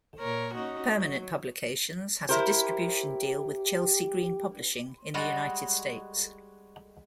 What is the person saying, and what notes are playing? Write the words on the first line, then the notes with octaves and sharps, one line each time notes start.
Permanent Publications has a distribution deal with Chelsea Green Publishing in the United States.
A#2 A#4 C#5
C#4 D#4 F#4
F#3
E4 G4 A#4 C5
G3 G#3 F#4 D5 D#5